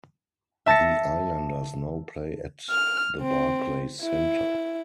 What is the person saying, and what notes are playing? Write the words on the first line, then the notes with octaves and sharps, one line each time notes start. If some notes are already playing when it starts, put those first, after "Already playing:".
The Islanders now play at the Barclays Center.
E5 A5 A6 A#6 C#7
F6
C4
E4